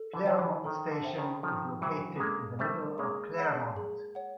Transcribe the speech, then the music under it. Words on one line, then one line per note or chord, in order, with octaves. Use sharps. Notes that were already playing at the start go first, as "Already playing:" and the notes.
Claremont station is located in the middle of Claremont.
Already playing: A4
D3 E3
F3 C5 E5 G5
D3 E3
D#3 A4
D3
C5 E5 G5
D#3
D#3 F3 A4
E3 F#3 C5 E5 G5
B3
G#3 A#3 A4
G3 A3 C5 E5 G5
G#3 A#3 G#4
C#5 F#5
G#4
C#5 F#5